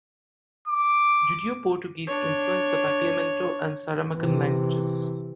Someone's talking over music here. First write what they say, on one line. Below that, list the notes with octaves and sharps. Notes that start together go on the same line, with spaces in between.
Judeo-Portuguese influenced the Papiamento and Saramaccan languages.
D6
D4 C#5
C3 E3